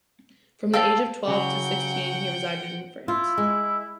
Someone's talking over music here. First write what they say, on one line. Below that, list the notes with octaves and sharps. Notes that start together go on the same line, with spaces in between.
From the age of twelve to sixteen he resided in France.
A4 C#5 F5 G5
C#3 F#3 F#5 G5
E4 F4
G#3